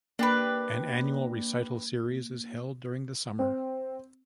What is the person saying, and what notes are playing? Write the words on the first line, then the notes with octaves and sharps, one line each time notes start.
An annual recital series is held during the summer.
A#3 D4 G4 B4
C4